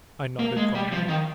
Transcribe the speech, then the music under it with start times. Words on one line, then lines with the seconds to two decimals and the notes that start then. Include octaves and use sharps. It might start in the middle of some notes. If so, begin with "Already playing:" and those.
I nodded calmly.
0.39 A#3
0.57 G#3
0.75 G3
0.92 F3
1.08 D#3